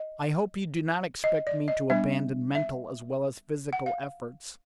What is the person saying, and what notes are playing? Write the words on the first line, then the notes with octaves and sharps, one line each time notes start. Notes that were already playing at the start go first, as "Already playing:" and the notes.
I hope you do not expect me to abandon mental as well as physical effort.
Already playing: D#5
D#5
D5
D#5
G3 B3 D4 E5
E5
F#5
F5